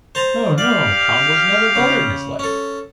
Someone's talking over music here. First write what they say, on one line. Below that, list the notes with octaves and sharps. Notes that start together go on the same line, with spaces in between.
"No, no, Tom was never better in his life."
C5 A5 A#5
G4 D5 F5
C#3
C#4 A4